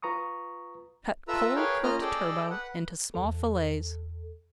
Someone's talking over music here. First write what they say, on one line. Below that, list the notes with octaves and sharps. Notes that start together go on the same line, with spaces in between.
Cut cold cooked turbot into small fillets.
F4 B4 A#5 C#6 D#6
F4 A4 B4 E5 A#5 E6
G#4 A#4 B4 C#5 F5 G5
A#3 C#4 F4 D#5 A#5 F6
G#4 A4 D5 D#5 G5
B4 F#5
E2 A4